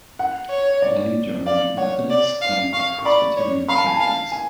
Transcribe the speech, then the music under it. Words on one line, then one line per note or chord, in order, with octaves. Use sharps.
Many joined Methodist and Presbyterian churches.
F#5
C#5
D5
D5 F5
C#5 F#5
D5
F5
F5 C#6
C#6
D5 B5
C#5
F5 B5
A5
G#5
F5 A5
G#5